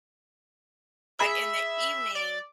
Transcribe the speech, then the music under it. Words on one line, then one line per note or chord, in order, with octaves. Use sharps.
But in the evening
G#4 E5 B5 E6
D5